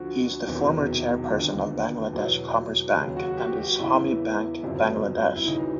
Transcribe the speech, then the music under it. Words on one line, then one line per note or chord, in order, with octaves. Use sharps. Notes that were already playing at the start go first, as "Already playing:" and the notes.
He is the former chairperson of Bangladesh Commerce Bank and Islami Bank Bangladesh.
Already playing: D2 D3 F3 F#4
E1 E2 C3 D#3 F#3
D#2 D3 F3
E2 B2 F#3
D#2 C#3 F#3
F#4
G4
F#4
E2 C#3 E3 E4
G1 F2 C#3 F#3
E4
D2 C#3 E3 D#4